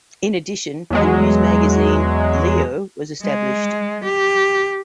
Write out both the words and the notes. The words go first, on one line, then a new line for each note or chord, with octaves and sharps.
In addition, a newsmagazine, "Leo", was established.
E2 F#3 G#3
G#3
G4